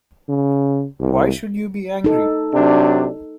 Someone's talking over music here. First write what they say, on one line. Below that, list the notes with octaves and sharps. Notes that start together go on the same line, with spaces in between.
Why should you be angry?
C#3
C2
D#4 A4
C3 F#3 D4